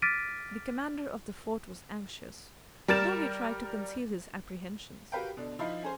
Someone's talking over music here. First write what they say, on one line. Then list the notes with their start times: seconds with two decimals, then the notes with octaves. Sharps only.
The commander of the fort was anxious, though he tried to conceal his apprehensions.
0.02 D6 F6 A6 B6 D7 D#7
2.88 G3 A#4 A6 E7
5.12 F#4 G4 A#4 B4 F5 G5
5.37 B2 D3 D4
5.59 F3 D#4 E4 D#5 F5 B5
5.83 C#4 G#4 C5